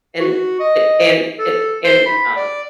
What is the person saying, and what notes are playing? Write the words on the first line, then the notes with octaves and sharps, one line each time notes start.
and a and a and, um
F#4
D#5
A4
C5
B5
D5